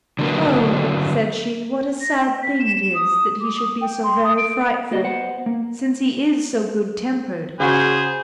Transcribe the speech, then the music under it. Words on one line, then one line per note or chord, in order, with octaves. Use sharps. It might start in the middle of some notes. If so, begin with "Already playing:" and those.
"Oh!" said she, "what a sad thing it is that he should be so very frightful, since he is so good-tempered!"
D3 F#3 A#3 B3
A#6
G5
B6
E7
E7
D#6
D6
D#6
G5
C6
D#6
D7
A#3 F#4 G4 D5 D#5
B3 C5 F#5
A#3
C#3 F#4 G#4 C5